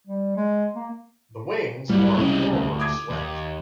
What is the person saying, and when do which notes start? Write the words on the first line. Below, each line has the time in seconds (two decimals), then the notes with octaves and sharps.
The wings are forward-swept.
0.08 G3
0.37 G#3
0.75 A#3
1.89 G#2 F#3 G3 E4
2.17 C2 C#3 G#3 G4
2.53 D2
2.79 D6 D#6 G#6
3.10 D#2